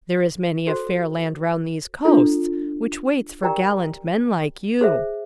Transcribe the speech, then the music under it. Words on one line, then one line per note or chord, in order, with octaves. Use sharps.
There is many a fair land round these coasts, which waits for gallant men like you.
F#4 A4 C5
D4 F4 A4
G4 A#4 D5 G5 A#5
G#4 C5 E5